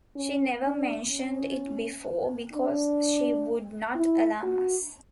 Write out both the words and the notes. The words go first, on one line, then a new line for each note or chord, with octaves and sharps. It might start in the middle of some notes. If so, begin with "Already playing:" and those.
She never mentioned it before, because she would not alarm us.
C#4
D4
C#4
D4
E4
F#4